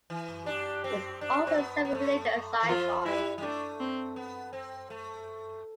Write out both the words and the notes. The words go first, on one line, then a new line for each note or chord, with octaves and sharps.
It is also a semi-religious icon.
E3
D4 G4
C4
D4
C4
B3
B3
A3
E3
F3 F4
G3 E4
G3
A3 D4
C4
B3
C4
A3